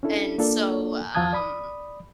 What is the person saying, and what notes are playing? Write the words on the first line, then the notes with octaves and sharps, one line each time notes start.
And so, um,
C#4 D4 E4 A4
A#3 D4 F4 A4 D5
E2 F3 F5 A5 D#6 G#6
D5 B5 D#6